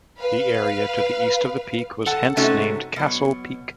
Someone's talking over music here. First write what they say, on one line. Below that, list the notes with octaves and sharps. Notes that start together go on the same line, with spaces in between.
The area to the east of the peak was hence named Castle Peak.
B4 F5
A4 F#5 A5
C3 A3 C#4 D#4 F#4 A4
B2 F#3